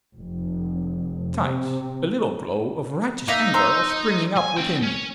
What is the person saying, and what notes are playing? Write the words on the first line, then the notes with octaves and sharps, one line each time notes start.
Besides, a little glow of righteous anger was springing up within me.
F1
C3
A#3 D#4 E5
C5 A#5 E6
G#5
C#4 G5
C#4